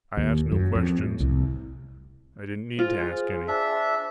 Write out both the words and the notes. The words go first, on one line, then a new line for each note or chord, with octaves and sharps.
I asked no questions; I didn't need to ask any.
D#2
F#2
F2
A2
C2
F4 G#4 C5
D4 E5